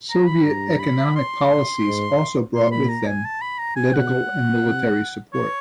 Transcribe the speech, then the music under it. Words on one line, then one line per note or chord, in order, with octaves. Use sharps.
Soviet economic policies also brought with them, political and military support.
A#5
B5
G2 A#5
B5
C6
G#2
A#2 C6
B5
A#5
G#5
A5
B5
A#5
G#5
B2 F#5
C3
C#5